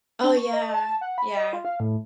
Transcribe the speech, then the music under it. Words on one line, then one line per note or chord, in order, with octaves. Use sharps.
Oh, yeah. Yeah.
D4
C#6
D#5
A5
F#5
B5
D#5
F4
F5
A2